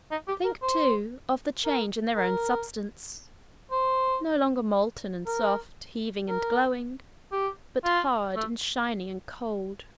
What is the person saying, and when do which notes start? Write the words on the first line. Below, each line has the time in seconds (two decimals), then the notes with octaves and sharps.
Think, too, of the change in their own substance--no longer molten and soft, heaving and glowing, but hard and shining and cold.
0.11 D#4
0.28 G4
0.45 A#4
0.62 C5
1.66 A#4
2.17 A#4
3.71 C5
5.26 A#4
6.29 A#4
7.32 G4
7.85 F4
8.36 A3